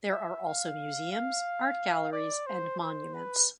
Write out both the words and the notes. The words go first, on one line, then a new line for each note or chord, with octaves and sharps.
There are also museums, art galleries and monuments.
E5
F5
F5
D5
C5
C5
B4